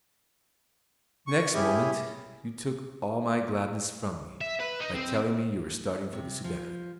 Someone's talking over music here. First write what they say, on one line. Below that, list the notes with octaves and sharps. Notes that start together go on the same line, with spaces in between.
The next moment you took all my gladness from me by telling me you were starting for the Soudan.
C#6
C#4 E4 G4 G#4
E5
B4
D#4
C4
C3
F3